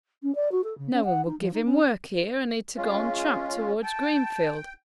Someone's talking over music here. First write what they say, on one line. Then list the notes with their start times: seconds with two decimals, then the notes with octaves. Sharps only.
No one would give him work here, and he'd to go on tramp toward Greenfield.
0.22 C#4
0.35 D5
0.51 F#4
0.64 A4
0.78 C#3
0.91 C#4
1.04 F#5
1.26 D#4
1.39 F3
1.53 D#4
1.65 C#4
2.76 G#3 C#4 F4 F5
3.83 G5 A5